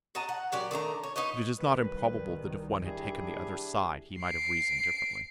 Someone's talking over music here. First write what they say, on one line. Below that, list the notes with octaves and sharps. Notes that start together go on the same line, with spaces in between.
But it is not improbable that if one had taken the other side, he might have reasoned differently.
F#4 D#5 A5 A#5
F#5
A#2 F#3 G4 D5
D#3 A3 D4 A#5
C#5
D#4 B4 C#5 D#5
C2 D#3 G3 B4
D4 E4 G4 G#4
C7 D7